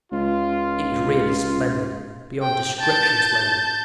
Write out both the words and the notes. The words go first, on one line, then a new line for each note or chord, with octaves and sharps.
It was really splendid--beyond description splendid.
C#2 F4
G5
A5 G6